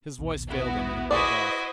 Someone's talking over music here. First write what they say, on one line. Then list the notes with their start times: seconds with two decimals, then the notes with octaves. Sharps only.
His voice failed him, and he broke off.
0.18 A#1 D#2 B2
0.49 B3 E4 F#4
1.11 E4 F#4 G#4 B4 C5 D5 D#5